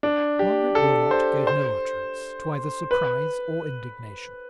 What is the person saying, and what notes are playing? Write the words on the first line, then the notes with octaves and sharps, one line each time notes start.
Margaret Wilmot gave no utterance to either surprise or indignation.
D4
G4
A4
C5
C5
B4